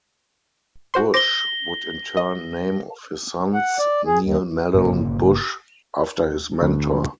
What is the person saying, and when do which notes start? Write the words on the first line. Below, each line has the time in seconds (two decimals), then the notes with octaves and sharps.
Bush would in turn name of his sons, Neil Mallon Bush, after his mentor.
0.94 F#4 C5 C6
1.14 C5 D6 A#6 G7
2.17 D#5
3.54 F#5
3.79 D5
4.06 G#4
4.23 D#2
4.74 G1 A#2 C#3 A#3
6.61 D2